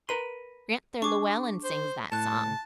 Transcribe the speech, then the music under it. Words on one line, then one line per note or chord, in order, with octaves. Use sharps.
Gran'ther Llewellen sings that song.
A#4 B4 C6 D#7
D4 G#4 C#6 D6
C5
A2 A5 F#6 E7